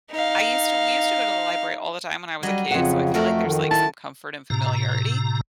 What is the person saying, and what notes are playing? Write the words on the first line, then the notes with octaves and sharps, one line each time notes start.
I used to we used to go to the library all the time when I was a kid, so I feel like there's like some comfort and familiarity,
D#4 F5
F#3 G3 D#5
F2 C#3 F#5
A3 F#4 A4 A#4
D#3
E4 A5
A2 C3 A#5